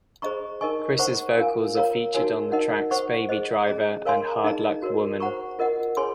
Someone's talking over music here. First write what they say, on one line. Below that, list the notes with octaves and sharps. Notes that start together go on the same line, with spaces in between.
Criss' vocals are featured on the tracks "Baby Driver" and "Hard Luck Woman".
G#4 C5 D#5 A#5 C#6
D#4 A#4 D#5 G#5 C#6
C5 F#5 A#5 C#6
F4 A#4 F5 G#5
A#4 C#5 F5 A#5
D#4 F#4 A#4 C#5 G#5
D#4 A#4 D#5 F#5
C5 F#5 C#6
G#4 C5 D#5
C#4 G#4 D#5 A#5
A#4 C#5 F5 G#5 C6
D#4 G#4 D#5 A#5
F#4 A#4 C#5
C5 F#5 A#5 C#6
F4 A#4 D#5 F#5
G#4 C#5 G#5 C6